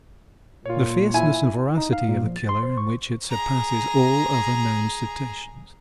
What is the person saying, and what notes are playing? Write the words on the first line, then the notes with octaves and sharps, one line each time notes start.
'The fierceness and voracity of the killer, in which it surpasses all other known cetaceans.'
A#2 F4 C#5
E4 G#5
D#4
F5
A#2
F3
A6
C6
C5
C#6
G#4 A#5